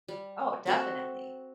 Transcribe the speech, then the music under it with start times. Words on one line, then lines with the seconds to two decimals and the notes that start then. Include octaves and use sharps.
Oh, definitely.
0.08 G3
0.66 C4 F#4 A4 E5